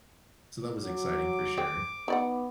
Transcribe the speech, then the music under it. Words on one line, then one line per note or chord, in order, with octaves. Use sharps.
So that was exciting, for sure.
F#3 D6
G#4 C5 G5
B3 D#4 D5 F#5